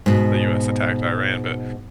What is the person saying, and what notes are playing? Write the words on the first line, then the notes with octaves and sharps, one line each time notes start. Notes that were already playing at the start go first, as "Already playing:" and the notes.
the US attacked Iran, but
G#2 B2